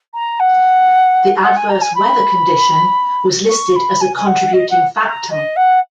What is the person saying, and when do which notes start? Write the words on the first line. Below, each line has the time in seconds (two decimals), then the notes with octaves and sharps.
The adverse weather condition was listed as a contributing factor.
0.14 A#5
0.40 F#5
1.44 F#5
1.56 G#5
1.69 A#5
1.82 G#5
1.95 B5
3.50 C#6
3.76 B5
4.01 G#5
4.17 G#5
4.27 F#5
4.53 D#5
4.71 F#5
5.05 A#5
5.31 D#5
5.56 F#5